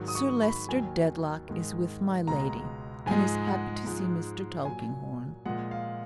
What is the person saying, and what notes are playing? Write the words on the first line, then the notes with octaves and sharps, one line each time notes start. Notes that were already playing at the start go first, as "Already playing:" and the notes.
Sir Leicester Dedlock is with my Lady and is happy to see Mr. Tulkinghorn.
Already playing: G#2 D#3 F#3
D#6
C#6
B5
D#2 D#3 F#3 G#5
G#2 D#3 G#3
C#2 B2 G#3 A#5
G#2 F3 G#3 G#5
F#5
G#2 F3 G#3
A#2 F#3 G#5
A#2 F3 G#3 F#5
F5